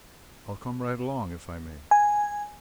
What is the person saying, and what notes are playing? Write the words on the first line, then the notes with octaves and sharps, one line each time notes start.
"I'll come right along if I may."
G#5